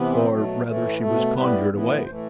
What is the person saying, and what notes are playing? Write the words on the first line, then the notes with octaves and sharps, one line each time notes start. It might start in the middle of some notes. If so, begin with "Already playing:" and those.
Or rather she was conjured away.
Already playing: C3 E3 B3
C4
B2 F#3 A3
A2 E3 A3
B2 A3 B3
C4
A2 G3 B3 B4
A2 E3 B3
A2 E3 A3 C5